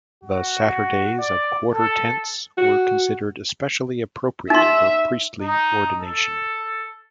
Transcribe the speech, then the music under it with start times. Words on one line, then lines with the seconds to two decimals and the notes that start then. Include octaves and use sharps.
The Saturdays of Quarter Tense were considered especially appropriate for priestly ordination.
0.23 F#4
1.19 D5
1.73 A4
2.58 F#4
4.50 D#4 E5 C6
5.41 D#4
5.99 A4